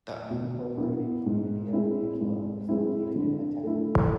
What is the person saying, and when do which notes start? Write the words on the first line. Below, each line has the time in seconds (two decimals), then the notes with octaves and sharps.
The unincorporated community of Angelo is located in the town.
0.31 B2
0.77 B3 E4
1.26 G#2
1.73 G#3 C4 E4
2.21 G#2
2.69 G#3 C4 E4
3.16 D3
3.63 A3 E4